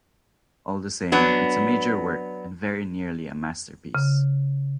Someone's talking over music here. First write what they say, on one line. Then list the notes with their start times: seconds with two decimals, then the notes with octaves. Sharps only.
All the same it's a major work and very nearly a masterpiece...
1.12 F#3 B3 D4
3.95 C#3